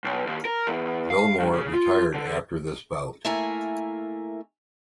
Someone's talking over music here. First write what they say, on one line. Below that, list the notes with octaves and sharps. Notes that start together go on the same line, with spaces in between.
Villamor retired after this bout.
B1
D#2
A#4
E2
F5
G2
C#3
F4
D3
A3 A#3 E4 A#4 G#5